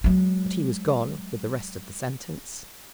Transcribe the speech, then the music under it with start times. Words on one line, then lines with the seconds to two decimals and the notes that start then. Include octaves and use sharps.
But he was gone with the rest of the sentence.
0.04 F#3 G#3